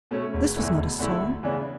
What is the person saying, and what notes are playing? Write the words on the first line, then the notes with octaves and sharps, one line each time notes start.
This was not a song.
B2 A3 C#4
E1
E2 D3 A3 E4
E1
E2 D3 A3 E4
D2
C#3 E3 B3 D4